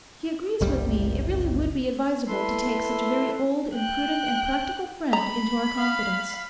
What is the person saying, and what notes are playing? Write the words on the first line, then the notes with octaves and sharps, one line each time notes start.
He agrees with me it really would be advisable to take such a very old and prudent and practical friend into our confidence.
F#1 C2 G3
E4 A4 B4 E5 C6
G5 F#6
A#5 B5
F5